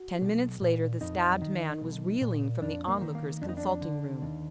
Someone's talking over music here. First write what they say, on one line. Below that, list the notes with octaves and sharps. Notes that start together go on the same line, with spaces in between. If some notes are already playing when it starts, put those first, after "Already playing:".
Ten minutes later, the stabbed man was reeling from the Onlooker's consulting room.
Already playing: F#4
B1
A#2
F2 D#4
D#3
B1
A#2
F2 D4
A#3
D#3
A#3
F2 D4
D#4
D4
D3
D#2